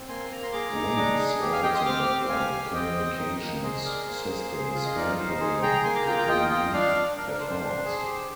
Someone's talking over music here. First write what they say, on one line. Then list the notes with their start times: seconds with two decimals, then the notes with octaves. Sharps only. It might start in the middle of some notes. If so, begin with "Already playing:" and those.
Winds also knocked out communications systems, hampering relief efforts.
Already playing: C4
0.08 A#3 G#5 C6
0.30 A#3 A#5
0.43 C6
0.52 G#4 A#5 D6
0.75 D#4
0.97 D4
1.19 G#4
1.41 G4
1.53 F5 G#5
1.63 G4 D#5 G5
1.75 C6 D#6
1.85 C4 D6 F6
2.08 C4
2.29 G4 F5 G#5
2.53 G4
2.74 C4 D#5 G5
2.96 C4
3.18 D#4
3.41 A#3
3.63 G#4 C5 D#5
3.84 G#4 A#4 D5
4.07 A#3 C5
4.30 G#4
4.51 G#4
4.74 F4
4.86 D#5
4.95 D#4 A#4 D5
5.18 D#4 C5
5.40 G#4 C5
5.62 G#4 G5 A#5
5.84 A#3 G#5 C6
5.95 A#5 D6
6.06 F4 G5 A#5
6.17 G5 A#5
6.28 F4 D#5 G5
6.51 F4 D#5 G5
6.67 D#5
6.73 D4 D5 F5
6.95 D4
7.17 D4 A#4 D5
7.28 A#4
7.39 D4 C5
7.50 C5
7.62 D4
7.84 G#4
8.06 G4